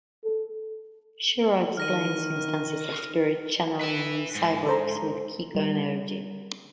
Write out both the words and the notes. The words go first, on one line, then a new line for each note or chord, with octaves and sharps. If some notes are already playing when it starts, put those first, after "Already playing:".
Shirow explains instances of spirit channeling in cyborgs with kiko energy.
A4
D#3 F6 A#6 D#7
B4 E5
G#2
A4 C5 A#5
G3 A#4